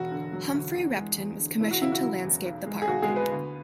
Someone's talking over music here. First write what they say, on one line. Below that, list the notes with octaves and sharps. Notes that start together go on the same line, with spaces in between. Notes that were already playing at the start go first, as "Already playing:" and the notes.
Humphry Repton was commissioned to landscape the park.
Already playing: E1 F#4
D3
F#3
D2
E2
G#3
E2
D3
E1 E4
F#4
C#3 E4
F#4
F#3 E4
E2
B1
G#3
G#4
B1 F#4
G#3 G#4
B2
B3 B4
D2